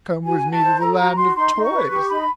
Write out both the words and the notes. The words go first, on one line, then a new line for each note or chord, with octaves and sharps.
Come with me to the Land of Toys.
F#4 G#5
F#4
A5
C5
A4 A#5
F#4 A#5
F#4 C6
D#4 C6
D#4
C#6
B4
G4 C#6
D#4 B5